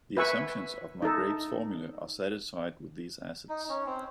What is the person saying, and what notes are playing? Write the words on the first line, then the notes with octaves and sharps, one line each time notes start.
The assumptions of Margrabe's formula are satisfied with these assets.
B4 E5 G#5 C#6
D#4 A4
D#4
C#4
C4